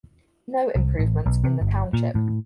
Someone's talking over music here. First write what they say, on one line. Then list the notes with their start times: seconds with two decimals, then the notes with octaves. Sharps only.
No improvements in the Township.
0.76 C2
0.99 A1
1.26 B1
1.44 C3
1.61 G1
1.93 A#2
2.15 A2